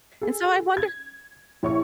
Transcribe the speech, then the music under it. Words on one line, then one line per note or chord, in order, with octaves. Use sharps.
and so I wonder
G#4 A4
G#6
A#1 E4 C#5 C#6